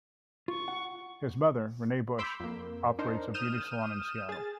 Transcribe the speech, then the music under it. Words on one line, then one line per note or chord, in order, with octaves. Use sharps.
His mother, Renee Busch, operates a beauty salon in Seattle.
F4 C#6
F#5
B5 C6 D6 E6 G6 B6
F2 A#3
D4 D#4 A#4 C5
D#6 F6 G6 D#7 E7
G#4 A6